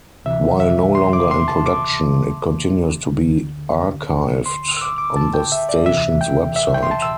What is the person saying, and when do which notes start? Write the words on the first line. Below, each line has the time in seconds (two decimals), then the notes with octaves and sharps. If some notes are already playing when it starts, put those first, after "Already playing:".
While no longer in production, it continues to be archived on the station's website.
0.25 D2 C3 E3 E5
0.60 E5
0.95 C6
1.13 D6
1.31 C6
1.48 A5
1.66 D6
3.06 D2 D3
4.46 C6
4.77 E6
4.81 D6
4.98 D6
5.16 A5
5.34 G5
5.52 E5
5.69 D5
5.86 D2 C3 E3 E5
6.21 G5
6.56 E5
6.74 G5
6.83 C6
6.91 A5
7.02 E6